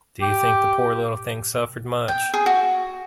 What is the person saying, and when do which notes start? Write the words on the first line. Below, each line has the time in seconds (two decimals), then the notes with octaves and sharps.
Do you think the poor little thing suffered much?
0.21 G4
2.08 G5
2.34 G#4
2.46 F#4